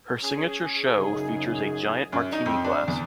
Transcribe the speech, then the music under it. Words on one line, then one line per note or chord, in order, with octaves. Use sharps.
Her signature show features a giant martini glass.
C#4 G#4
F#2 C#3 D#4
F#2
D#4
F2
D4
E2